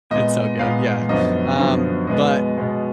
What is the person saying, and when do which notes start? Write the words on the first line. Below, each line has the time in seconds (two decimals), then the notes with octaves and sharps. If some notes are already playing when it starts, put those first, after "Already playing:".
it's so good, yeah. Um, but
0.11 A#2 G#3 B3 D#5
0.59 A#2 G#3 B3 F5
1.09 F#2 D3 F3 B3 D#5
1.59 F#2 D3 F3 B3
2.07 B2 G#3 B3 D#5
2.58 B2 G#3 B3